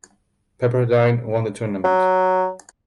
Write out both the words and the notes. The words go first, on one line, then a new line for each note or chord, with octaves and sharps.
Pepperdine won the tournament.
F#3